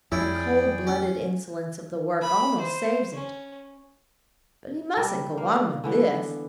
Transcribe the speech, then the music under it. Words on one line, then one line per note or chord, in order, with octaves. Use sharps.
The cold-blooded insolence of the work almost saves it; but he mustn't go on with this.
F2 C#4 E4 G#4 D5 G5
C#4
B5
C5
C#4
G3 D4 G4
A#3 F5
D3 E3 B3 D4